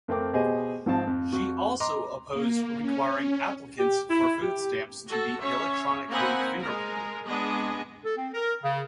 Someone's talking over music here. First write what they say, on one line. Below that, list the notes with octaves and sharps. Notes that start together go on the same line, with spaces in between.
She also opposed requiring applicants for food stamps to be electronically fingerprinted.
F2 A3 C4 A#4 G5 D6
B2 G4 G#4 C5 D#5
G#1 F3 C4 A5
F2
F2 F#4
D#5 A#5 C6 D6
A#3
C#4
G4
E4
G4
F#4 A4
C#4 C#5 E5
A#3 C4 D#4 F#5 G#5 B5
G#3 A#4
G#3 B3 D4 G#4 D#5
A4
C4
A#4
C#3